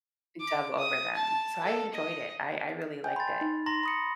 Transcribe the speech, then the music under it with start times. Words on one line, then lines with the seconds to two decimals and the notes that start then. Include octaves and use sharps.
dub over them, so I enjoyed it, I I really liked it.
0.41 D6
0.78 D#6
1.15 A5
1.64 A4
1.93 D#5
3.04 G5 G#5 G6
3.16 B5 C6 A6
3.41 D#4
3.66 A#5 C6 A#6
3.83 B5 D#6 C#7